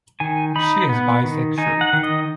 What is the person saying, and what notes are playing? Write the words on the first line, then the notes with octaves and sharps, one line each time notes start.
She is bisexual.
D#3 G#5
D#4 B5
B3
D#3
D#4 G#5
F#5
D#3
D#5